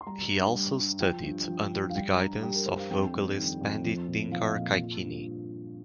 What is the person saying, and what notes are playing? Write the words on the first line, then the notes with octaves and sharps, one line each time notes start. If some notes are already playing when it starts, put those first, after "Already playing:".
He also studied under the guidance of vocalist Pandit Dinkar Kaikini.
C6
G3 A#5
G2
G3
G2
F3 G5
G2
F3
G2
F5
G3 G5
G2 A#5
G3 G4
A#4
G2 C5
F5
F2 G5
G3
D#3
F2
F3
A#2
F3 F5
D#5
F5
A#2
F3
G2